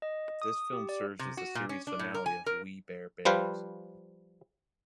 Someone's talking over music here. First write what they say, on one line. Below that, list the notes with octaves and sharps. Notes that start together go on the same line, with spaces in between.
This film serves as the series finale of "We Bare Bears".
D#5
D#6
G4
D5
C3
F#4
A#2
C#4
D4
A2
A#4
G#5
A#4
F3 G3 B4 C5 F5